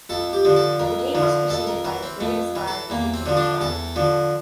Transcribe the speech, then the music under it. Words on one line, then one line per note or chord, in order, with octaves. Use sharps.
The game was preceded by the "Braves Live" pregame show.
F2 A4
G4
D3 F3
A4
F2 A#4
D3 F3
F2 A4
A#4
E3 A#4
C4
F2 A3
E3
A4
E2 A#3
C4
D3 F3
D4
E2 A4
D3 F3